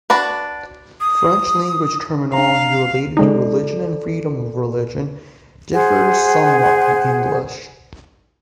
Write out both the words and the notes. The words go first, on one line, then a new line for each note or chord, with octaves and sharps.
French language terminology related to religion and freedom of religion differs somewhat from English.
D4 F#4 B4
D#6
D4 F5 A#5
C#3 G#3 D#4 F4 A4 D5
G#4 C5 F#5